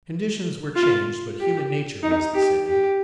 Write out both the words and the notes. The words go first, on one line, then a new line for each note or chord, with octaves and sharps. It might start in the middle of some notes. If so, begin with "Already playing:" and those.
Conditions were changed, but human nature was the same.
F4
G4
D#4
G4
G4